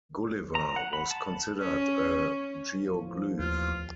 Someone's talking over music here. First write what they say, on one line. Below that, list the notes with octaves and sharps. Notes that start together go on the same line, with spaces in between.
"Gulliver" was considered a geoglyph.
A#5
F#5
B5
A5
C#4
E2 A2 F3
D#2 F4